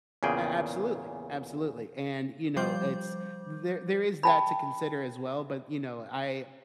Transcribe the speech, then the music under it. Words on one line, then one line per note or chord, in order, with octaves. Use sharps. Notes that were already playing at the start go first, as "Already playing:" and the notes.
A absolutely, absolutely, and, you know, it's there there is that to consider as well, but, you know, I
E2 A#2 C#3 G#4 G5
F3 G3 C5 D6 G6
G5 A5 B5